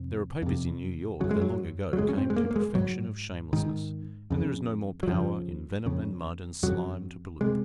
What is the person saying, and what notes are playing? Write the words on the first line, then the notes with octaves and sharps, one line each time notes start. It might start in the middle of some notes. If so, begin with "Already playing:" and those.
There are papers in New York that long ago came to perfection of shamelessness, and there is no more power in venom and mud and slime to pollute them.
Already playing: F2 C3
F2 C3
F#2 C#3 F#3
G#3
F#3
F#3
F#2 C#3 G#3
C#4
C4
G#3
A#3
A#3
G#3
G#2 F#3
G#2 D#3
F2 C#3
F#3
F2 C#3 F3
F2 C#3
F2 C#3 F#3
C3 G#3